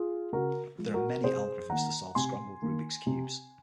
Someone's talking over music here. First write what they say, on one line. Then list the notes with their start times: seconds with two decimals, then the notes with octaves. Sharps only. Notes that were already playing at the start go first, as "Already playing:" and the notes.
There are many algorithms to solve scrambled Rubik's Cubes.
Already playing: F4 G#4
0.33 C#3 F#4 A#4
0.78 F3 G#3
0.94 F#4 A#4
1.24 C3 G#4 C5
1.69 D#3 A#3 F#5 A#5
2.15 C3 G#5 C6
2.62 D#3 A#3
3.07 C3